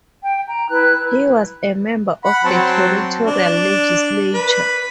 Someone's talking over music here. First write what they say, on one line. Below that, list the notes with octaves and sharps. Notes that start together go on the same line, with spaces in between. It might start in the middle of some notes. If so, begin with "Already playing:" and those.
He was a member of the Territorial Legislature.
G5
A#5
E4 B4 F#6
F#5 B5
F#3 C4 A5
D4
B4